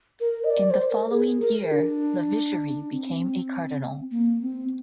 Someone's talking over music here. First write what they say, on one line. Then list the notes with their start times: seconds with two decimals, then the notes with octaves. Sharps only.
In the following year, Lavigerie became a cardinal.
0.20 A#4
0.44 D#5
0.50 D5
0.71 C5
0.91 A#4
1.11 G#4
1.41 A#4
1.72 D4
2.92 C4
4.11 A#3
4.42 C4